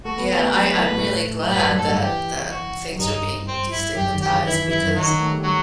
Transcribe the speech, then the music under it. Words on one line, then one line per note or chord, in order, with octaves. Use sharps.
Yeah, I I'm really glad that that things are being destigmatized because,
A3 F#4 A4
B3 B4
B3 G4 B4
A3 A4
F#3 F#4 B4
F#3 F#4
E3 E4
A2 A3
F#3
G2 G3 B4
F#2 F#3
A3 A4
G2 G3
E3 G4
F#4
F#3
G2 G3 D#4
C4
E4
F#2 F#3 G4
D#3
E3 G4
E3
D#3 E4
E3
E4
F#2 F#3
D#3 F#3 D#4
D#3 D#4
A3 A4
G3 G4
F#3